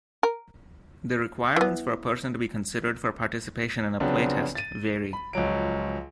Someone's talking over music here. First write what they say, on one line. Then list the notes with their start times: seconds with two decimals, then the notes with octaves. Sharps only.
The requirements for a person to be considered for participation in a playtest vary.
0.23 A#4
1.56 E3 B3
4.00 C#3 F3 F#3 B3 C4 D4
4.55 A6 D#7
5.13 B5
5.33 C#2 F3 F#3 D7